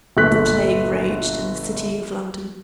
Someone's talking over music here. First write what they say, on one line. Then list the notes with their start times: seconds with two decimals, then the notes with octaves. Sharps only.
The plague raged in the city of London.
0.17 G1 A#2 A3 C#6 F#6 B6